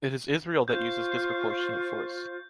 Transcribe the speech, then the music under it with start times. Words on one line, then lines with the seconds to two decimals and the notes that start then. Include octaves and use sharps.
It is Israel that uses disproportionate force.
0.68 F4 C5 C#6 G6